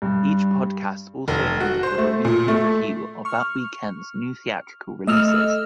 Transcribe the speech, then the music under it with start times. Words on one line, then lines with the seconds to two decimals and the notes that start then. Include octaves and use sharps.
Each podcast also ended with a weekly review of that weekend's new theatrical releases.
0.02 G2
1.28 F1
1.61 F#4
1.83 C5
1.98 A3
2.25 A#2
2.48 A3
3.25 C#6 F6
5.07 A3 D#5 E6 F6